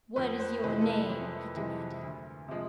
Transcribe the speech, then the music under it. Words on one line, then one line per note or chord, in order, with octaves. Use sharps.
"What is your name?" he demanded.
F2 B4
C5
C3 E3 G#3 B4
A4
A#4
F2
C3 E3 G#3
D2
C3 F3 G#3